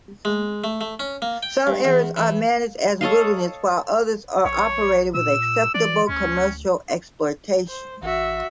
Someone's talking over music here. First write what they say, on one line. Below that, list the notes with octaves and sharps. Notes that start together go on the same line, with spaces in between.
Some areas are managed as wilderness while others are operated with acceptable commercial exploitation.
G#3
A3
A3
C#4
A#3
G5
G2
E2
E3
A4 C#5 D#5 F5
A#1 C#5
A#2 E6
E3 D5
D2 C#4
C5
A1 F#4 E5